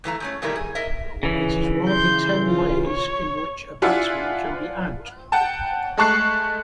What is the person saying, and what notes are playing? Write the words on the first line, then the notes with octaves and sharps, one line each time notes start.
It is one of the ten ways in which a batsman can be out.
G2 E3 A3 A#5
G#2 A3 C#4
A#2 D#3 G3 A3 E4 A#4
G#4
A#4 D#5 E5
C#3 E3
C6 G6
F4
C#5
D4 E4 F4 E5 F#5 G#5
F#5 G5 A5
G#3 A3 A5 C#6 F#6 C7